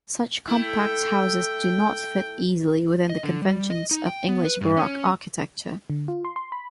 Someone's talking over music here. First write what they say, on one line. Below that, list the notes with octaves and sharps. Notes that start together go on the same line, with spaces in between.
Such compact houses do not fit easily within the conventions of English baroque architecture.
A3 E4 G5
D#5
D3
G3
D#5
D#4
G5
B3
B4
G2
C#4
D3
F4
C6
C6
B5